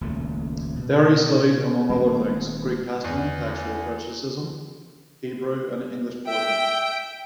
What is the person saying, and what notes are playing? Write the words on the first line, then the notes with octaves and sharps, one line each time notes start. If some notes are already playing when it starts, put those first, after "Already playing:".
There he studied, among other things, Greek testament textual criticism, Hebrew, and English poetry.
D#1 C#2 A3
B2
D#1 G#3 A#3 C4
E2
E5 G5